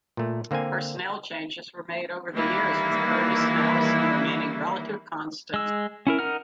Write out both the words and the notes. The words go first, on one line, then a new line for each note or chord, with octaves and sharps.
Personnel changes were made over the years, with Curtis and Allison remaining relative constants.
A#2 A3
D3 A#3 C4 C5 G#5
D#3 E3 G3 A#3 E4
G#3 E6
C#4 E4 A#4
D#4 A#4 F#5 F6